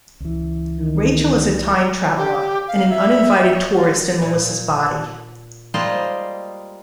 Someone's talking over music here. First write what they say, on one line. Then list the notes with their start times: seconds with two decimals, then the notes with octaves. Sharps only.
Rachael is a time traveler - and an uninvited tourist in Melissa's body.
0.20 C#2 E3
0.79 D#3
2.17 G4
2.68 F5
2.89 E5
3.54 C#5
3.74 F4
4.22 A#2
5.74 G3 G#3 A#3 F4 C5 D#5